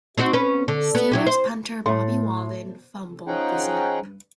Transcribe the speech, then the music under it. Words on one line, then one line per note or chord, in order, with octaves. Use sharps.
Steelers punter Bobby Walden fumbled the snap.
C4 D#4 F#4
C#4 B4
D3
B3
F#3 E4 G4
C5
A2 A3 C6
F3 C#4 D#4 G#4 F#5 G5